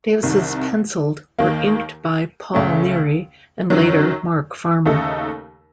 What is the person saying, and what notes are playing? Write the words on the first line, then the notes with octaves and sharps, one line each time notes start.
Davis' penciled were inked by Paul Neary and, later, Mark Farmer.
C2 C3 D#3
D#2 D#3 A#3
C#2 C#3 A3 C#4
F#2 D#3 F#3
D#2 C#3 A3 D#4 A4